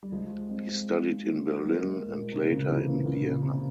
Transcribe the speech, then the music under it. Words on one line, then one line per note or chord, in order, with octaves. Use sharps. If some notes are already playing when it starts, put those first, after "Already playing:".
He studied in Berlin, and later in Vienna.
G3
F3 G#3
G#3 C4
G3 A#3
F3 G#3
A#2
C3
A#2 C#3
C3 E3
A#2 C#3
A#2 C#3
A#2 C#3
C3